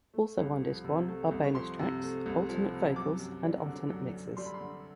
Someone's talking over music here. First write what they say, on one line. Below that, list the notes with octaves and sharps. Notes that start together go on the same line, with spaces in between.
Also on disc one are bonus tracks, alternate vocals, and alternate mixes.
A3
C2
F3
C3
A3
C2
C#6
F3 C6
C3
A3
C2
F3
C3
F#2 D6
F#2
G3
D3
F#2
F#2
G3 C6
B5
C6
D3